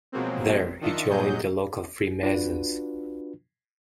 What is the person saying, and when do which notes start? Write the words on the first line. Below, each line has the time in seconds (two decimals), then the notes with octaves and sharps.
There, he joined the local Freemasons.
0.12 B2 F3 F#3 G#3 A#3 C4
0.81 D#3 D4 F4 D#5 E5 C#7
1.10 A#2 F#3 G#4 D#5 G6
2.23 D4 F4 F#4 B4